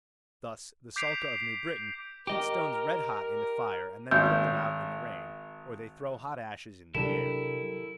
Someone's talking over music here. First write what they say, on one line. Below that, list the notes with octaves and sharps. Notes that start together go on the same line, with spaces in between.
Thus the Sulka of New Britain heat stones red hot in the fire and then put them out in the rain, or they throw hot ashes in the air.
D6 G6 B6 C7 D7 F7
G4 A#4 D#5
G#1 G6
C3 F#3 D4 E4 G4 A4 A#4 E7